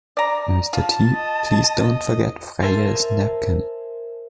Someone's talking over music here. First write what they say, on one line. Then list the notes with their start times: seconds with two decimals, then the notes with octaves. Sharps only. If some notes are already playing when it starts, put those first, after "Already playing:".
Mr T. - please don't forget Freya's napkin.
0.17 D5 A#5
0.73 F4 A5
1.13 D#5
2.62 A#4 C5 E5 G#5 A5